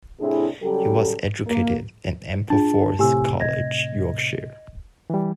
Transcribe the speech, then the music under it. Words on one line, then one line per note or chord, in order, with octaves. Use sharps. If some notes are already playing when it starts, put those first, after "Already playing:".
He was educated at Ampleforth College, Yorkshire.
A2 C3 D4 E4 G#4
C#3 F#3 G3 G4 A4
A#3
D4 F4 G#4 A5
A2 C3 G4 G#5 E6
D#5 G#6 A#6
E3 G3